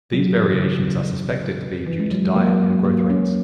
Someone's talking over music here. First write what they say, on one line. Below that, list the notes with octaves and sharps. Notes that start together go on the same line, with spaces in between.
These variations are suspected to be due to diet and growth rates.
F#3
E3
C#3
D#3
C#3
C#3
E3
G#3
F#3
F#3 A#3
F#3
F#3 A#3
A#3 C#4